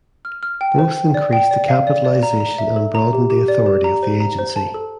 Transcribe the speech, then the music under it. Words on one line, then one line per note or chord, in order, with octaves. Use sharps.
Both increased the capitalization and broadened the authority of the Agency.
F6
F6
G5
C5
G5
D5
G5
D5
F5
D5
D5
A#5
A#5
E5
A4
A#5
G4
G4
D5
G4
A#5
C5
A#5
C5
A5
A4